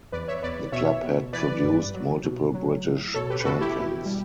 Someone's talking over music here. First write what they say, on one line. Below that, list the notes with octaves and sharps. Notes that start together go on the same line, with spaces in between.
The club had produced multiple British champions.
E2 B4 D5
C#5 E5
E2 B4 D5
B2 C#5 E5
B2
E3 B4 D5
G2
F#3
B2
F#3
A2
B2 A4 C#5
G4 B4
B4
E2 F#4 A4
E4 G4
B2
G3